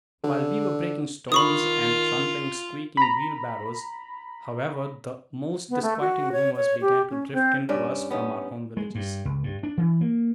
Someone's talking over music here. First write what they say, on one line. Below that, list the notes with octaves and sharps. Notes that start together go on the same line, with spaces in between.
While we were breaking stones and trundling squeaking wheelbarrows, however, the most disquieting rumors began to drift in to us from our home villages.
D3
D#3 F4 B5 C#6 D#6
A#5 B5
B3
A3
F#4
C#5
C#5
G4
C#4
C4
G2 C#4 D5 E5
B3 C#4 D#4
G#3
G2
C#2
G2
D4
E3
A#3